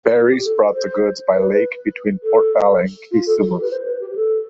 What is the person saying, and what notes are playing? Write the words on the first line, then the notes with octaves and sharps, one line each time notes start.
Ferries brought goods by lake between Port Bell and Kisumu.
F4
G4
A4
C5
B4
A4
F4
A4
A4
F4
G4
B4
C5
B4
G4
A4